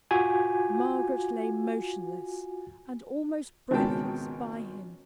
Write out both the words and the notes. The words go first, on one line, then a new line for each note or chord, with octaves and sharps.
Margaret lay motionless, and almost breathless by him.
F4 F#4 G#5
G#1 C#2 B2 A#4 G5 A5